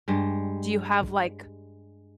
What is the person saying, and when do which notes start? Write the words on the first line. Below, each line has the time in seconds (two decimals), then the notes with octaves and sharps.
Do you have, like,
0.08 G2 G3 G#3